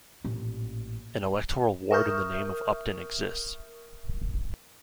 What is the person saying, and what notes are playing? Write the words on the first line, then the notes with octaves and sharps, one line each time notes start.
An electoral ward in the name of Upton exists.
A1 A#2
A#4 E5 C#6 D#6 F6 G6